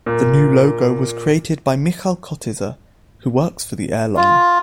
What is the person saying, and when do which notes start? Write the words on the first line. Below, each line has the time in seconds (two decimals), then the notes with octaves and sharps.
The new logo was created by Michal Kotyza, who works for the airline.
0.06 A#2
4.17 F4